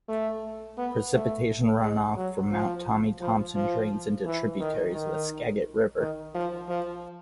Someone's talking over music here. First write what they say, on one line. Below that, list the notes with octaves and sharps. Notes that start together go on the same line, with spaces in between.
Precipitation runoff from Mount Tommy Thompson drains into tributaries of the Skagit River.
A3
B3
A3
G#3
F#3
F3
F3
F3
E3
D#3
D#3
D#3
F3
F3